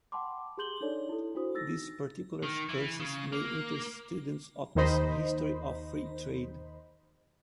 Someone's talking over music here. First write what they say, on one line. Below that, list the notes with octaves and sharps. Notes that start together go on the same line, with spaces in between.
These particular curses may interest students of the history of free trade.
F#5 G5 A5 B5 C6 D6
G4 G#4 C6 G6 F#7 G7
D4 D#4 A4 C#5 D5
E4 A4
D4 E4 F#4 C5 D#6
D#4 E6 A6 A#6
D#3
E3
C#3
A#3
D#2 D#3 D#4 C5 D#5 B5